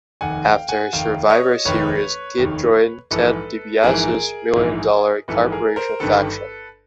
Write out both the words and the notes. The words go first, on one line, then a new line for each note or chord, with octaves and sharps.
After Survivor Series, Kid joined Ted DiBiase's Million Dollar Corporation faction.
F1 D#2 D#3 F#5 G#5
F5 G5
F#5 G#5
F1 D#2 D#3 F5 G5
C#5 D#5
F1 D#2 D#3 B4 C#5
F1 D#2 D#3
A#1 G#2 E3 A4 B4
A#1 G#2 E3 G#4 A#4
A#1 G#2 E3
A#1 G#2 E3 A4 B4
G#4 A#4
A#4 C5
G1 G2 D#3 A4 B4